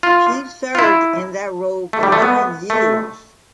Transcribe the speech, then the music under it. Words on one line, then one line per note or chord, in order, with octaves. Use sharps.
She served in that role for nine years.
F4
F4
E4
A3
G3
A3
B3
A3